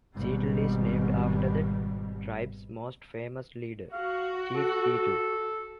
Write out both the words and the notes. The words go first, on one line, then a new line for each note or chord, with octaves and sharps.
Seattle is named after the tribe's most famous leader, Chief Seattle.
G#1 B2 G3
F#4 F5
A4